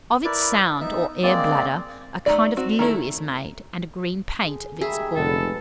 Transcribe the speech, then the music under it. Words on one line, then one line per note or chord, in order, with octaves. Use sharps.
Of its sound, or air-bladder, a kind of glue is made, and a green paint of its gall.
E4 A#4 B4 D5
B3 D#4 E5
G#3 A#3 C4 D5
A3 D#4 E4 D5
C4 F#4
D#3 A3 E4 A4
D3 G#4
D#3 G3 A3 G#4 E5
F1 G#3 B3 A4